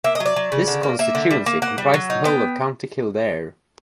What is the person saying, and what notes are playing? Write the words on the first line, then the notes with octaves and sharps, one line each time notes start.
This constituency comprised the whole of County Kildare.
A#3 E5
D#5
F#3
D5
F#3
C#3
D3
A#3
A#3 E5
D3
G3
A#3
A#3 F#5
G3
F#3
D#4
B3 G5